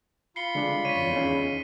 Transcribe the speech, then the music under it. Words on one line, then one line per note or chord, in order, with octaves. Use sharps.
you know?
F4 B5 C7 C#7 G7
D3 G#3 D4
C#5 B6 D#7
C#4 D#4 G#4